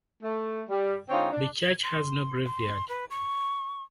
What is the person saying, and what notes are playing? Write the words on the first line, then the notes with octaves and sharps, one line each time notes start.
The church has no graveyard.
A3
G3
D3 G#3 C4 D#4 F4 C#5
D4
G#6
C6
C6
B4
C#6